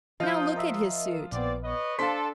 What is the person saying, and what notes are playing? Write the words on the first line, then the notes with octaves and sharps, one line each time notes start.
Now look at his suit.
F3 F4 D#5 D#6 G6
A#4 D#5 E5
A#1 B3 C4 D5
B4 C#5 D#5
D4 A4 C5 F5 C6 B6